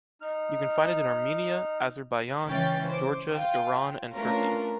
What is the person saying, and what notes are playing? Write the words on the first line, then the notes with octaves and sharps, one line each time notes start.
You can find it in Armenia, Azerbaiyán, Georgia, Irán and Turkey.
D#4 F6
C#2 E3 C#4 G5 A6
C5 D6
F4 G5
A3 C#4 D4 F4 A#4 B4